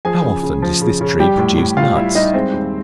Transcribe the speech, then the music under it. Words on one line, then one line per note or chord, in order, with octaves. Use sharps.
How often does this tree produce nuts?
F3 G#4 G#5
C#3
C#3
F3
C#3
C#3
G3 G4 G5
A2
A2
A2 F4 F5
G3 E4 E5
G3 D#4 D#5
G#3 C4 C5
D#2